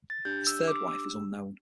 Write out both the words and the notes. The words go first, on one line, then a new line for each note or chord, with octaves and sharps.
His third wife is unknown.
A6
D4 G4 G6
E6
D6
E6